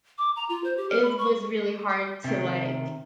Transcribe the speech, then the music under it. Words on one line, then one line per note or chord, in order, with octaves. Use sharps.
it was really hard to, like,
D6
A#5
F4
C5
G4
F6
B5
C#6
C3 D#3